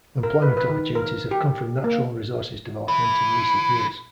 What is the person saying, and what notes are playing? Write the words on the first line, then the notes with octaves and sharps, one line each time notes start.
Employment opportunities have come from natural resources development in recent years.
A#4
B4
B4
D#3
A#4
G4
A#3
E3